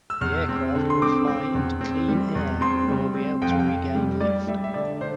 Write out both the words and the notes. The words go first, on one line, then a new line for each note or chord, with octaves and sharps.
The aircraft will fly into "clean air", and will be able to regain lift.
E6
E2 F6
C4
D3
C6
C4 D6
C4
E2
C4
G3
E2
C4 C6
G3
C4
F2 G5
F5
G5
F2
G3
G3 D5
G3 E5
E5
D3 D5
D3 C5